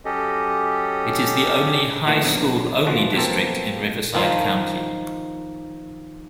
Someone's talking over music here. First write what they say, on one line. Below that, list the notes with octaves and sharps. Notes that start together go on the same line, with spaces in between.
It is the only high school-only district in Riverside County.
F#3 C#4 G4 A4 D#5
A#2 D#3 E3 A3
A#1 B2 D3 F#3
E3 F3 G#3 F#4
B2 F3 A#3 C4 A4
D#3 F3